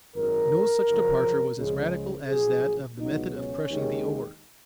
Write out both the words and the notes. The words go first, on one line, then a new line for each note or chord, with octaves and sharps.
No such departure was as radical as that of the method of crushing the ore.
G#1 F#2 D#3 A#4
F#2 C#3 F3
C#2 C#3 F3 G#3
A#1 A#2 F#3 G#4
C#2 B2 F#3 D#4
C#4
D#2 D#3 G#3